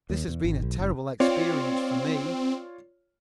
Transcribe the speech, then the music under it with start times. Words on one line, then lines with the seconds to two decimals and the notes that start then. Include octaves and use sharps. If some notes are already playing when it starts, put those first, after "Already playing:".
"This has been a terrible experience for me."
0.10 D#2
0.28 E2
0.44 G#1
0.62 B1
0.79 F#1
1.20 C4 F4 C#5 D5